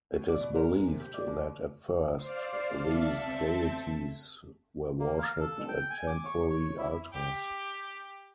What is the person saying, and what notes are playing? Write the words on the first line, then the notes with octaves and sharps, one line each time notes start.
It is believed that, at first, these deities were worshiped at temporary altars.
F#2
D5
B2
A#4
G#3
C3
G4
D5
D#2
C5 D5 F5
A4 E5
C4
A#3
F5
A4
G5
G#5
D6
C#5
C#5
E4
G4